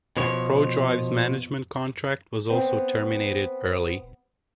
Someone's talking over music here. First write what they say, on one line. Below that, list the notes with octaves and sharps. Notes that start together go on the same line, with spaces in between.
Prodrive's management contract was also terminated early.
B2 F3 C#5
B3 C4